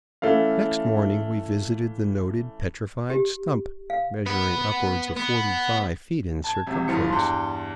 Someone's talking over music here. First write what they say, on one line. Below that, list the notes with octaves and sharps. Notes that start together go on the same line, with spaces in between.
Next morning we visited the noted petrified stump, measuring upwards of forty-five feet in circumference.
E3 A3 C#4 F5
G4
F5
B4 F#5
B3
A5 G#6
E1 C3
G1 F3 E4 C#7
E2 G2 C6